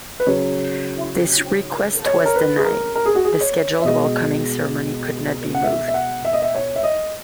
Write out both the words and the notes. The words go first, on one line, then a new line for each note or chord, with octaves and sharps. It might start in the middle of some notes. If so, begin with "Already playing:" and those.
This request was denied - the scheduled welcoming ceremony could not be moved.
B4
C#3 F#3 C#5
C#5
A#4
B4
G#4
A#4
A#4
G#4
F#4
G#4
C#5
E5
B2 G#3 D#5
F#5
E5
E5
F#5
E5
D#5
E5
C#5
E5
D#5